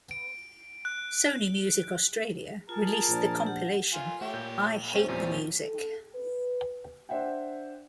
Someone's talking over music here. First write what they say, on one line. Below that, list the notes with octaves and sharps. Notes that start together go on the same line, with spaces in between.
Sony Music Australia released the compilation "I Hate the Music".
D7
F#6
F4 G#4 A#4 A5
A#2 F3 D4
G4 F#5
F4 G#5
A3 G4 C#5 E5
A#2 G6
C3 C#4 G4
E2 A#2 F3 G3 C#4
A4
B4
D4 C5 E5 F#5 G5